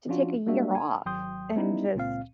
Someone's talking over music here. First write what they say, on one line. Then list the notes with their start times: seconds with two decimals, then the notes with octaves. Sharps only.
to take a year off, and just,
0.08 F3 C#4 D4 F4 F#4
0.47 G3 G#3 A#3 D4 F#4 E5
0.75 G#5
1.06 G#1 F#3 G5 C6 D#6 G6
1.56 G3 B3 C#4 D#4 E4
1.95 C#2 A#2 C4 F5